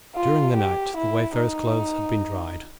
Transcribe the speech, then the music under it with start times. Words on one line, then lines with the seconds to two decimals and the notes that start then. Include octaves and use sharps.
During the night the wayfarer's clothes had been dried.
0.16 F4
0.57 G4
0.98 E4
1.38 D#4